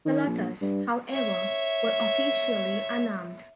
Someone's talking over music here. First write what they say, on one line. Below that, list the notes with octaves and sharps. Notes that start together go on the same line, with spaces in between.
The Lottas, however, were officially unarmed.
D#3
A#1
G2
C#5 E5